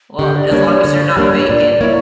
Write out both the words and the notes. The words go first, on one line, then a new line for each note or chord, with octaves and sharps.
Well, as long as you're not baking.
D3 G4
D5
G3 A#3 D4 C#5
D5
D3 C#5
G3 A#3 D4
A#2 D5
A#3 E4 C#5